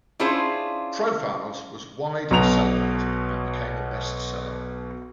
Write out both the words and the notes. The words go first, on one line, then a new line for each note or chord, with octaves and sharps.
"Profiles" was widely celebrated and became a best seller.
C#4 D4 E4 F4 G#4 C5
B1 B2 A#5 F7